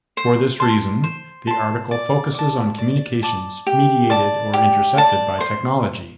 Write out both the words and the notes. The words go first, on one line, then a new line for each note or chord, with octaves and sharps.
For this reason, this article focusses on communications mediated or intercepted by technology.
C5
A5 C6
C5
A5 C6
D5
A5 D6
D5
A5 D6
G4
D5 A5
G4
D5 A5
C5